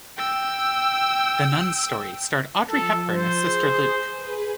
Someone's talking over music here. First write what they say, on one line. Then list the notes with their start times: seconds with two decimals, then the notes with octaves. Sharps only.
"The Nun's Story" starred Audrey Hepburn as Sister Luke.
0.17 G5 E6
2.69 F3 A4
3.12 C5
3.42 G#4
4.15 G#4 B4